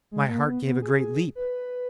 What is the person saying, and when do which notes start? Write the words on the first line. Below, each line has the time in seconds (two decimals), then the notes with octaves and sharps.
My heart gave a great leap.
0.11 G#3
0.30 A#3
0.46 B3
0.65 B3
0.82 G#4
1.35 B4